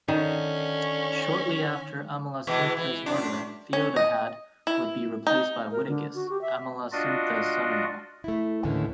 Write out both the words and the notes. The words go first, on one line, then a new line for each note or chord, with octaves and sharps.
Shortly after Amalasuntha's murder, Theodahad would be replaced by Witigis, Amalasuntha's son-in-law.
D3 D#3 C#4
B2 E3 G#3
E3
F#2 D4
C#4
D#5
E4
D#4
A#4
D3
F#4
G4
E5
D4 F4 F#4 D5 D#5
A3 E4
D#2 A2 D3 E3 C#4